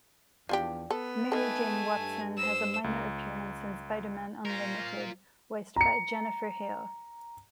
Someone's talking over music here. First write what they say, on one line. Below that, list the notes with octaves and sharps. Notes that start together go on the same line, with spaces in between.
Mary Jane Watson has a minor appearance in "Spider-Man Unlimited", voiced by Jennifer Hale.
E2 F3 D4 G4
B3 A4
D#3 A3 A4 G#5
G2
C5 E6
C#2
C#4 F4 A#4 C5 A#5
A#5 C#7